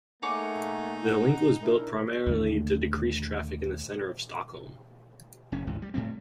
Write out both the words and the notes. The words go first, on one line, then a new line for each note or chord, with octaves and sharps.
The link was built primarily to decrease traffic in the centre of Stockholm.
A3 A#3 D#4 G#4 C#5 F#5 D6
F#5
D4 E4 A#4
D#2 D3 A3
F#1 C#4
G#1 D2 G#2 E3
G3
A2 G3 A3 C4